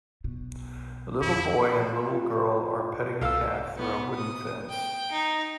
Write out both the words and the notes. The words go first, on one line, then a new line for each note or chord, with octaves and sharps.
A little boy and little girl are petting a calf through a wooden fence.
B1 B2
F2 E4
F4
C2 F4 A4 F5 E6
B3
D#6
G5
D#4